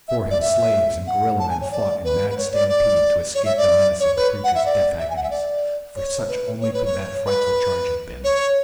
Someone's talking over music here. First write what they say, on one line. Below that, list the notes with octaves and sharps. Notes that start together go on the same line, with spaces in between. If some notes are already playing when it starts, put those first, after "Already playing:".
Before him slaves and gorilla-men fought in mad stampede to escape the menace of the creature's death agonies, for such only could that frightful charge have been.
E5
D5
E5
F#5
A5
G#5
C#5
D5
B4
B4
C#5
D5
D5
C#5
E5
D5
C#5
B4
F#5
E5
D5
E5
G#5
F#5
E5
D5
C#5
B4
C#5
B4
C#5
B4
C#5